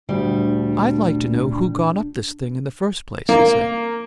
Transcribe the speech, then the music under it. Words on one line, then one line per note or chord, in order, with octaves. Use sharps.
"I'd like to know who got up this thing in the first place," he said.
D2 A#2 G3 D4
A#3